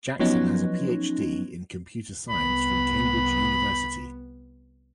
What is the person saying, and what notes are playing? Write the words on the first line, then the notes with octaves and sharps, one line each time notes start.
Jackson has a PhD in Computer Science from Cambridge University.
F3 F#3 B3 C#4 D#4
C2 B3 B5